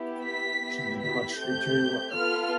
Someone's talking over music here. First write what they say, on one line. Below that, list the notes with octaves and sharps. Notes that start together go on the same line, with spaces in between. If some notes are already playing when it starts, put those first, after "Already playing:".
She did much literary work.
Already playing: B3 E4 G4
B6
B3 E4 G4
B6
A3 C4 G4 G6
B3 F4 A4 F6